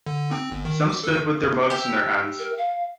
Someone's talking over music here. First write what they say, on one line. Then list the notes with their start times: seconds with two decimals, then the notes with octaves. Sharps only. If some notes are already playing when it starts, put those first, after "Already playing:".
Some stood with their mugs in their hands.
0.06 D3
0.31 C4
0.51 G1
0.65 D#3
0.89 D6
1.04 A4
1.70 G4 E5
2.39 A#4
2.58 F5